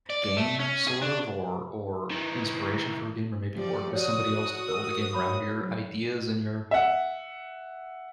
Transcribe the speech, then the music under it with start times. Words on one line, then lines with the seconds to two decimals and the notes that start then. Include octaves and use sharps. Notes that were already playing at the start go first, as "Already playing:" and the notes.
game, sort of, or or inspiration for a game, or maybe work with somebody else to build a game around your ideas and your
0.10 D5
0.24 D5
0.37 A4 E5
0.60 C#4
0.87 G#4
1.02 D4
2.11 D#3 E3
3.54 F3 G3 D5
3.93 F#4 C#5 D5 D#6
4.68 A#4
5.13 C#5 B5 D6
5.53 F#3
6.71 E5 F#5